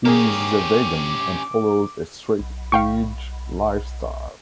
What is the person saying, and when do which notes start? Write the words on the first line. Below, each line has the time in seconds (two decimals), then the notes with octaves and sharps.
He is a vegan and follows a straight edge lifestyle.
0.05 A#3 C#4 G4 G#4 D6
2.39 B1
2.72 F5 G5 C#6